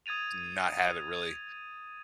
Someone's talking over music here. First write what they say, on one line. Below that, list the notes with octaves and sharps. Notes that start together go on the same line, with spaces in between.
not have it really
D#6 G#6 A6 D#7 F7